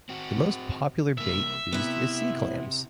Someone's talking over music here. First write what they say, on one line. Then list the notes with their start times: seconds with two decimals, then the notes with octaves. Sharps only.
The most popular bait used is sea clams.
0.09 C4 F#4
1.18 C2 A#3 E5
1.72 C3 B3 E4